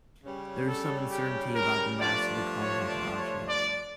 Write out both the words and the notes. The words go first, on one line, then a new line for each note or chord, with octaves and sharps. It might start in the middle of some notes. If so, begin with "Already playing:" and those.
There is some uncertainty about the mass of the compact object.
C#3 G3 C#4
A4
G4
A#4
G2 F3 A3 D4 D5
C#5
D5
C#5
D5